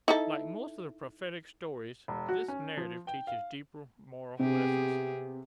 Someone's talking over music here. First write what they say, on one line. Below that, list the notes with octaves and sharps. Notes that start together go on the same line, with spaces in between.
Like most of the prophetic stories, this narrative teaches deeper moral lessons.
D#4 E4 A4
E1
F#4
C#4
F3
G5
F5
C3 B3 G4 G#4